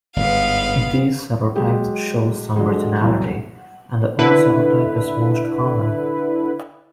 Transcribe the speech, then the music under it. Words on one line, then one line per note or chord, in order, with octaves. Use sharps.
These serotypes show some regionality, and the O serotype is most common.
G1 G#2 B3 F5
F#3 G#3 G4
D3 F3 F#3 G#3
C2 F#2 E3
D3 E4 B4